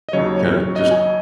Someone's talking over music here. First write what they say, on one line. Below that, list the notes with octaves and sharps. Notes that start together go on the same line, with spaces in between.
kinda just
D#5
D#2 C#3 F#3 C#5
C#5
C#5
D#5
G#5